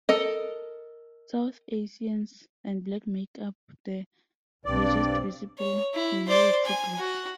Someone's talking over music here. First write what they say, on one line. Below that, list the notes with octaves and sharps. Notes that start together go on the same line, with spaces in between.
South Asians and Black make up the largest Visible Minority Groups.
A4 A#4 D#5
B1 G2 C4 D5
C#5
E4
C5 D5
G#5
F#4